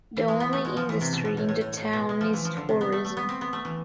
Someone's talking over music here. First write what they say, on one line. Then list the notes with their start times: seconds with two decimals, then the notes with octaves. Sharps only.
The only industry in the town is tourism.
0.17 E3
0.28 G#3
0.40 B3
0.53 A3
0.65 G#3
0.77 F3
0.89 E3
1.01 C3
1.13 B2
1.25 B2
1.37 A2
1.49 A2
1.61 A2
1.77 A2
1.93 B2
2.09 G#3
2.21 F3
2.33 E3
2.45 F3
2.57 D3
2.69 C3
2.81 B3
2.92 A3
3.05 A3
3.17 B3
3.29 C4
3.41 B3
3.53 A3
3.65 E3